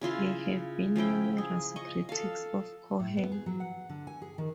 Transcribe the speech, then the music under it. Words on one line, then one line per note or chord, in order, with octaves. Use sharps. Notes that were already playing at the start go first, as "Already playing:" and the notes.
There have been numerous critics of Cohen.
C#3 E4 F4 C6
F3 C#4 E4 G5
G#4
D#5 C#6
A4 F5
A2
B3
G#4
F#3
F#5
D3
G#5
G#4
D#3